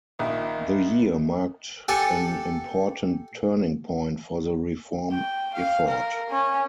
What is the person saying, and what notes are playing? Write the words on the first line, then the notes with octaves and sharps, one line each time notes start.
The year marked an important turning point for the reform effort.
A#1 D#3 E5
G4 A4 F#5 G#5
G5
F5
A#4
C#4